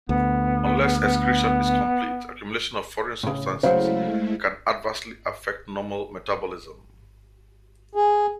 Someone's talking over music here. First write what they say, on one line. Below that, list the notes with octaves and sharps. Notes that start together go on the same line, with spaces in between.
Unless excretion is complete, accumulation of foreign substances can adversely affect normal metabolism.
D2 B3
A2 C#3
C#3 F#3 G#3 A3 E4 C5 F5
G#4